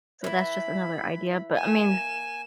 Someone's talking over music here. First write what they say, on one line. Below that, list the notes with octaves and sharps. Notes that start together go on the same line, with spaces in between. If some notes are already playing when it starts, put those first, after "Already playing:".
So that's just another idea, but I mean
E3 E4 B5
A#3 G#5 E7